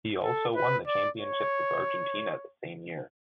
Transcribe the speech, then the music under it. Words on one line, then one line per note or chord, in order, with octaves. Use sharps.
He also won the championship of Argentina the same year.
A4
B4
D5
C#5